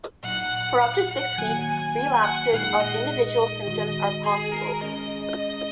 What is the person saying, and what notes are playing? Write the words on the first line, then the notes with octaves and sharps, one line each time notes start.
For up to six weeks, relapses of individual symptoms are possible.
A#2 F#3 D#4 F#5
F#5
F#5
D#3 F#3 A#3 F#4 G#5
G#5
F#5
A#2 G#3 D#4 G#4 F#5
D#5
D#5
D#3 G#3 F#4
G#4
A#4
G#3 C#4 G#4 D#5
D#5